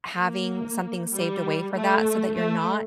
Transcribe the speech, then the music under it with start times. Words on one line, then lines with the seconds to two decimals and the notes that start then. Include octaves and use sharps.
having something saved away for that so that you're not
0.16 A#3
1.10 G3
1.73 A3
2.35 A3